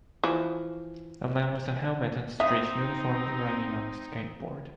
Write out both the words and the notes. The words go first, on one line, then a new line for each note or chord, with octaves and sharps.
A man with a helmet and street uniformed riding on a skateboard.
E3 F3
C4 D#4 E5 F5 D#6